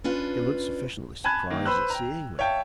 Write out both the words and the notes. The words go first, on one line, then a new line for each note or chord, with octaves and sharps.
He looked sufficiently surprised at seeing me.
C#4 D4 F4 B4
G#5 A5 B5 F#6 G#6
D#3 A#3
B4 C5 B5 E6 F#6
G5 A#5
C#5 E5 F5 G5 A5